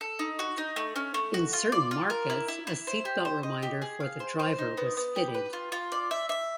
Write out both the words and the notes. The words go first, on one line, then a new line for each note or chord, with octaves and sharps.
In certain markets a seat belt reminder for the driver was fitted.
A4
D#4
F#4
D#4
A3
C#4
A3
F#4
F4
D5
F4
A#4
E4
E4
E4
C5
G4
C5
D#5
G4
G#4
F5
C5
C5
D#4
B3
B3
G4
B4
F4
F4
D5
E5
E5